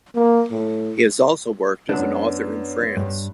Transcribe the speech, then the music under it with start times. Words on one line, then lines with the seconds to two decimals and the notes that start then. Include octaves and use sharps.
He has also worked as an author in France.
0.15 A#3
0.51 A2
1.89 F#2 B3 D4
2.97 G2